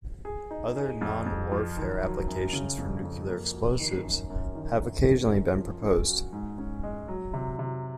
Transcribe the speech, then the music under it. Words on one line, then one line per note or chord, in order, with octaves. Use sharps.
Other, non-warfare, applications for nuclear explosives have occasionally been proposed.
G#4
D#4
G#4
F2
F2
F3
D#3
F#3
F#2
C#3
F2
F2
A#3
F#4
D#3
F#2
F#2
D#3
F#2
D#3
F#2
F3
C#4
F#4
G#2
C#4
G#3
F#3
C3
C3